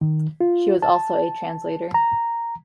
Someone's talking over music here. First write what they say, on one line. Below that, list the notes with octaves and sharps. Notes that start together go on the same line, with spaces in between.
She was also a translator.
D#3
F4
A5
A#5